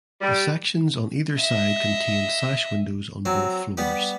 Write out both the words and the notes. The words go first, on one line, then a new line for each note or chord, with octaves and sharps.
The sections on either side contained sash windows on both floors.
G3
D#5 E5
F#3 C4
G3 B3 G4